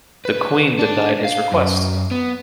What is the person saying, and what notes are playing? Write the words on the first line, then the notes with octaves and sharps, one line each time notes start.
The Queen denied his request.
B4
D4
F5
F#2
B3